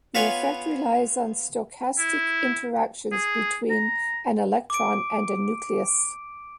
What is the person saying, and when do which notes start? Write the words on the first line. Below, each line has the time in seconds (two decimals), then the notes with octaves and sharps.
This effect relies on stochastic interactions between an electron and a nucleus.
0.15 B3 F4 B4 C#5 G#5
1.98 E4
3.12 G#4
3.70 A#5
4.70 D6 D7